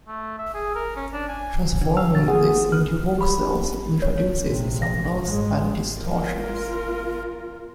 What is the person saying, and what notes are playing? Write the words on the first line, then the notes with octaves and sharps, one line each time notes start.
Transforming this into voxels introduces some loss and distortions.
A3
E5
G#4
A#4
C#4
D4
G#5
D3
F5 E6
B2 F#3 A6
F3 G#4 F#5
B3 F6
G4 B5
C#5
A#1 C3
A#6
G#2 G#3
F4 A#4